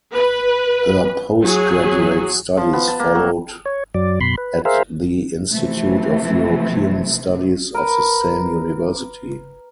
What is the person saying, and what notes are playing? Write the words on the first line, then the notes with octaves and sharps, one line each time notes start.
Her postgraduate studies followed at the Institute of European Studies of the same University.
B4
F#3 G#4
F3
B3
A5
A#3
F#3
C#5
F#2 F#3 D5
F#2 B2 B5 C6
B4
G#4 A#4 C5 E5 F5
C3 E3 F3 A3
A#4 B4